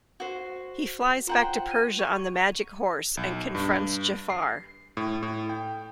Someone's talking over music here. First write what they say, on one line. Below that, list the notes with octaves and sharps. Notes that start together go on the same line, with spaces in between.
He flies back to Persia on the magic horse and confronts Jaffar.
F#4 C5
F4 C5 F#5 G5 A#5
D#7
C#5
B1
G2
C7
A2
A2
G5